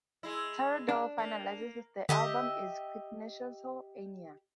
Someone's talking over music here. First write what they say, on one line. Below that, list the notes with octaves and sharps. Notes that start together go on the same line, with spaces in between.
Tarradell finalises with the album is "quintessential Enya".
G#3 E4
D4
A#3
D3 G4 D#5 E5